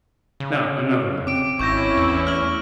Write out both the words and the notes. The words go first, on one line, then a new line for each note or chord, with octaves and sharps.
Now another matter.
C#3
F#4
C4 D6 D7
G#1 C#4 E4 C#6 G6 A#6
E2
A3 F6 F#7